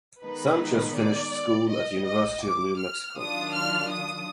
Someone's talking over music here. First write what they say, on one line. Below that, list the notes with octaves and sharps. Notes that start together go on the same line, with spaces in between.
Sanchez finished school at University of New Mexico.
D#3 G#3 B3 D#4 B4
D5
D#5
D#5
D6
F6
D#3 F#3 D4 F4 D#6
F6
D#6